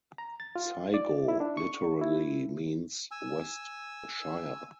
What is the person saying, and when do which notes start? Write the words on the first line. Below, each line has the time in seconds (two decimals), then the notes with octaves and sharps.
Saigo literally means "west shire".
0.18 A#5
0.40 A6
0.56 F4
0.94 D5
1.28 E4
1.40 D4
1.57 C#6
2.01 E4
3.11 G#5 E6